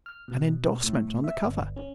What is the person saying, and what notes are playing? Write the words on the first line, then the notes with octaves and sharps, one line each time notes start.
An endorsement on the cover!
F6
B2
A2
E5
G1
C#4